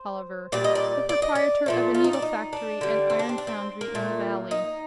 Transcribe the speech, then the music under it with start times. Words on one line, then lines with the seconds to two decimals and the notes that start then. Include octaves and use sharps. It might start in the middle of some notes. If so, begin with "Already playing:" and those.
Oliver, the proprietor of a needle- factory and iron-foundry in the valley.
Already playing: C5
0.52 A#2 G3 D5
0.64 D#5
0.75 D5
1.09 D5
1.22 D#5
1.35 D5
1.66 A#2 F3 A3
1.95 F4
2.04 D#4
2.13 D4
2.22 D#4
2.53 D4
2.81 D3 G3
3.10 C4
3.19 D4
3.29 C4
3.38 D4
3.47 C4
3.81 A#3
3.95 A#2 A3
4.51 D#4